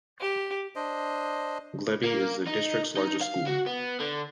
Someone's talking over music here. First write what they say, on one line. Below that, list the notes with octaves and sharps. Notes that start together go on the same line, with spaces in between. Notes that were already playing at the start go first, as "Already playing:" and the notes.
Glebe is the district's largest school.
G4
D4 C5 D#5
A#3
D#4
D#4
F5
F#4
B3
D3